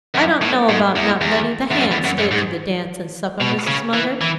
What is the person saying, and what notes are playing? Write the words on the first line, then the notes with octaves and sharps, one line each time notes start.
I don't know about not letting the hands stay to the dance and supper, Mrs. Munger.
F#2
A2
G#2
E2
E2
E2
F#2
E2
F#2
F#2
G#2
B2
C#3
E3
E3